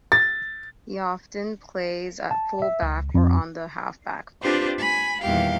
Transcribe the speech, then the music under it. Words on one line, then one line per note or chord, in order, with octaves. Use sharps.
He often plays at full back or on the half back flank.
A6
A5
E5
C#2
F2
C4 D4 F4 G4 B4 C5
G#5 B5
E2 A#2 D#3 G3 G4 F5